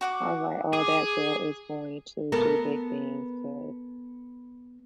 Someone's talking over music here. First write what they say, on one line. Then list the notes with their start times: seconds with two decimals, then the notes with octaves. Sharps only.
I was, like, "Oh, that girl is going to do big things," 'cause
0.01 F#4 F#5 D6
0.73 G#4 D6
2.32 B3 A4 A#4